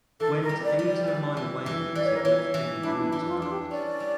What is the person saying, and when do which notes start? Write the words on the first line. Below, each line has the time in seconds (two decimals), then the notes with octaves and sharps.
Went outta my way to give him room tonight.
0.20 E3 A4
0.42 A#4
0.49 G3
0.64 D5
0.79 G3
0.86 D5
1.08 E3
1.37 E3
1.66 E3
1.95 E3 D5
2.05 C#5
2.14 A#4
2.22 E3 C#5
2.54 E3
2.83 D4 E4
3.06 E4
3.12 E3
3.27 F4
3.42 D4
3.49 G4
3.71 C#4 D5
4.00 G3